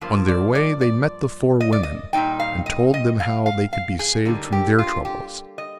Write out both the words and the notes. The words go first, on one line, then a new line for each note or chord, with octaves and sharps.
On their way they met the four women and told them how they could be saved from their troubles.
G2 F3 A#3
D5
D5
D5
D#5
D5
D#5
A#2 G3 C4 D#4 G5
F5
D#5
D#5
F5
F5
F5
G#4
D3 G3 A#3 D#4
G4
F4
G4
D#5